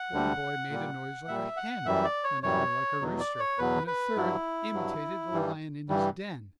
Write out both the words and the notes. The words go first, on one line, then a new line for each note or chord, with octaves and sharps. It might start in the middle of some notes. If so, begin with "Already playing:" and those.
One boy made a noise like a hen, another like a rooster, and a third imitated a lion in his den.
Already playing: F#5
D2 D3 G3
A#2 G3
A#2 G3 E5
F#5
F#2 E3 G3 E5
D5
C#5
F#2 E3 G3 C#5
E2 B2 F#3
D5
C#5
E2 B2 F#3 B4
B4
G2 F#3 E4
G2 F#3
G2 E3 G3
G2 E3 G3